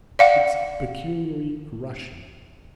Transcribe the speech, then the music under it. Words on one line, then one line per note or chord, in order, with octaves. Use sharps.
It's peculiarly Russian.
D5 F5 F#5